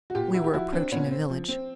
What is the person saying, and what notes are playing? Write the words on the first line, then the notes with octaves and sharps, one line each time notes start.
We were approaching a village.
F#4
A#2 F4 G4
E4 F#4
G4
F3 E4 F#4
C4 D4
A#2 B3 C#4
C4
F3
C4